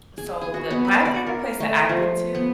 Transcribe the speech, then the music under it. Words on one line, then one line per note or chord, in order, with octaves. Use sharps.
so the my favorite place that I've been to,
G#4
G#4
F#4
B3
B5
D5
A#4
A3
F3
B3